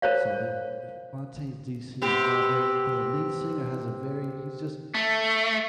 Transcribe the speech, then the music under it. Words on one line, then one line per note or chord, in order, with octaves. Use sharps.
so they're F Fontaines DC. Now, the the lead singer has a very he's just
A#4 C5 C#5 F5
C3 B3 G4
A3